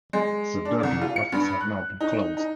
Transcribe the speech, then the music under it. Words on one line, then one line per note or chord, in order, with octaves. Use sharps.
The Dudley office has now been closed.
G#3
D4
C2
F4
C#7
G2
F#6
D#4
D#4